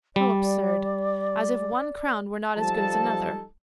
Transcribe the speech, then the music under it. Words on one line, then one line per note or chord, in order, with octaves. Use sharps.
How absurd--as if one crown were not as good as another.
G3 D5
F3 G3 D#4 A4 A5